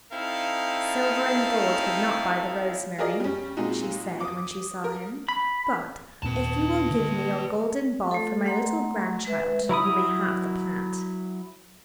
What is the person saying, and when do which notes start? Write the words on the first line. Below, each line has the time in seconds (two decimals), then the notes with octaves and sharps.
"Silver and gold would not buy the rosemary," she said when she saw him; "but if you will give me your golden ball for my little grandchild you may have the plant."
0.12 C4 D#4 E4 A4 F5
2.98 F4 F#4 G#4 A#4 D5 D#5
3.20 G3 C#4
3.57 A#2 G#3 C4 D#4 F#4
4.20 D6 D#6
4.84 A#4
5.28 B5
6.23 D#2 A#2 C4 B4 A5
6.90 D3 A#3
8.11 A3 A4
8.46 A3 F#5 A#5 C6
9.25 G#3 B4 E5
9.69 F#3 E4 B5 D#6